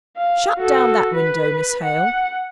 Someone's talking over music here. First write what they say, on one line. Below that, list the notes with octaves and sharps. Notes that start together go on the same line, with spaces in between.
Shut down that window, Miss Hale.'
F5
F#4 A4
B4
F#5